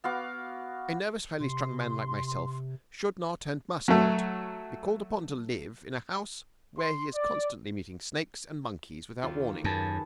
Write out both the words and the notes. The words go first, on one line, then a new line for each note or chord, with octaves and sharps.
A nervous, highly-strung man like myself should not, and must not, be called upon to live in a house where he is constantly meeting snakes and monkeys without warning.
B3 F#4 F5 D6
C3 C6
F#3 A3
C6
D5
D#2 F4
F#2 G#4 B4 A5